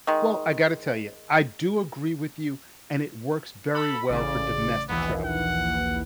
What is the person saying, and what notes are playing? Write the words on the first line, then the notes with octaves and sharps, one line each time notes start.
Well, I gotta tell you, I do agree with you, and it works very well for domestic travel,
D#3 G#3
A4 B5
A1 C#3 D5
A#1 D#2 E3 B3
F#5